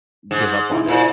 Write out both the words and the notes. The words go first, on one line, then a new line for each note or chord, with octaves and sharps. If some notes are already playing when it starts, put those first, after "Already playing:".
give up on it.
G#2
D#4 E4
A#2 E4 C5